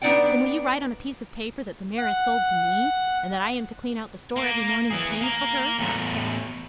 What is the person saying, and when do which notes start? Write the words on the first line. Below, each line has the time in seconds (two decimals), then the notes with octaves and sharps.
"Then, will you write on a piece of paper that the mare is sold to me, and that I am to clean out the store every morning in payment for her?" asked Tad.
0.02 B3 D4 D#4 D5 F#5 G5
1.98 F#5
4.36 A#3
4.90 E3 G#4
5.21 A#3 A#4
5.79 E2 A2